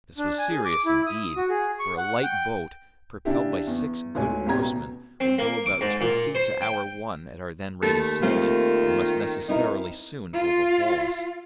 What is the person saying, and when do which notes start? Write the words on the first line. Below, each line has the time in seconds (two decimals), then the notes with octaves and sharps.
This was serious indeed; for a light boat, propelled by six good oarsmen, would go about two feet to our one at our then rate of sailing, and must necessarily soon overhaul us.
0.18 D4
0.38 G#5
0.51 G#4
0.65 D6
0.85 E4
1.06 D#6
1.36 F#4
1.49 G#4
1.79 C#6
1.97 F#5
2.24 G5
3.25 C#3 D4 E4 G4
3.67 E2
4.15 D2 G#2 C#5 G#5
4.46 A1 E2 C4 G4 A#5 G#6
4.61 B2
5.20 C4
5.38 A#3
5.66 D6
5.81 G#2
6.01 A#2
6.35 C5
6.62 G5
7.83 D#2 A3
8.23 D#3 A3 A#3 C4 F4
9.48 C4 D#4 E4 A#4
10.33 F4